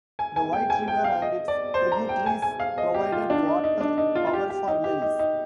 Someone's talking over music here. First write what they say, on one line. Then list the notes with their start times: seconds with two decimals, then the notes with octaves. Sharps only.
The White River and its tributaries provided water power for mills.
0.19 G#5
0.36 G#5
0.53 G5
0.70 G#5
0.88 G5
1.04 F5
1.22 D#5
1.48 D5
1.74 C5
1.92 A#5
2.09 G5
2.26 G#5
2.42 G#5
2.60 F5
2.78 D#5
2.94 G4
3.12 F4
3.30 D4
3.46 D#4
3.64 D#4
3.80 D4
3.98 D#4
4.15 F4
4.27 F4
4.33 G4
4.50 G4
4.68 D#4
4.84 G4
5.02 D#4
5.19 D#4